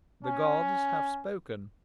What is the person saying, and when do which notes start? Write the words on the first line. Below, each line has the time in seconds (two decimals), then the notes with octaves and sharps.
The gods have spoken.
0.24 C#4 G#5